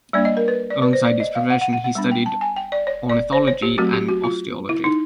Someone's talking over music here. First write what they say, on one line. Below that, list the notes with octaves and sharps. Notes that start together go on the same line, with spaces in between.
Alongside his profession he studied ornithology and osteology.
G3 A#3 D4 D5
D#5
A#4
B4
D5
B4
C5
D5
D#5
F5
F#5
F#5
F#5
F#5
G3 B3 D4
G5
A5
G#5
G5
D5
C#5
D5
C5
C#5
G4
F#3 A3 C4 F#4
G4
F#4
F4
E4
D#4